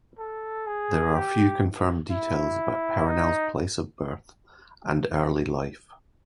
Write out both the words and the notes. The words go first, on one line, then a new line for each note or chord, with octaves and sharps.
There are few confirmed details about Perenelle's place of birth and early life.
A4
G#4
G4
E4
D#4